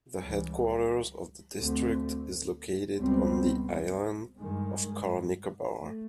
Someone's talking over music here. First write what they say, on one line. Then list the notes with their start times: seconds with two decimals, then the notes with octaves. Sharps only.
The headquarters of the district is located on the island of Car Nicobar.
0.16 C#2 C#3 E3 G3
1.56 D2 D3 F3 A3 C4
2.97 C#2 B2 G3 C4
4.38 G2 D#3 G#3
5.78 A3